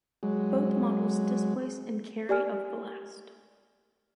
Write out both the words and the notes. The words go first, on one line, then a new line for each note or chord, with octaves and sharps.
Both models displace and carry of ballast.
F#3 G#3
G4 D5 G#5 F6